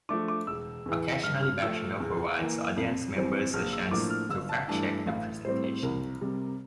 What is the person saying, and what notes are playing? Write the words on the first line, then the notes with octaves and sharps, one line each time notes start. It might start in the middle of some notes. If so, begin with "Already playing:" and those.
Occasionally backchannel provides audience members a chance to fact-check the presentation.
F3 A3 D4 D6
D6
E1 E6
E2 E3
G2 F6
F6
F3 A3 E6
E2
E3 A#3
F2
E3 G3 C4
A#1 F6
E6
A2 F3 A#3 D4 D6
F6
G1 E6
A5
G2 E3 A3 D4 A5
A5
A1 F5
A2 G3 C4 C5
C5
C2 A#4
C3 G3